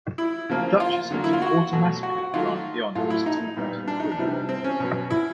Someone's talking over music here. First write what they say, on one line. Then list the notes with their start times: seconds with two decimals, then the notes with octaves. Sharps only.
Duchesses were automatically granted the honor of sitting in front of the queen.
0.18 E4
0.49 C#3 F3 A#3
0.80 F4
1.11 D3 F#3 A#3
1.24 E4
1.33 F4
1.42 F#4
1.73 B2 F#3 A3
2.03 F#4
2.18 F#4
2.34 D#3 F#3 A3 F4
2.95 A2 F#3 A3 F4
3.10 E4
3.26 D#4
3.57 A#2 G3 B3
3.88 D4
4.00 D#4
4.11 D4
4.18 C3 E3 G3 B3
4.49 C4
4.64 C#4
4.80 B2 F#3 B3
5.10 E4